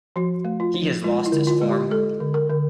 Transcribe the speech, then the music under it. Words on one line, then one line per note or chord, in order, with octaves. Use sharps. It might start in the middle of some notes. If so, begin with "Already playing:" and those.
He has lost his form.
F3 F#4
A3
F4
F3
G#3 F4
E4
D3
F4
G#3
G4
G#3 A4
D3
A#4
D3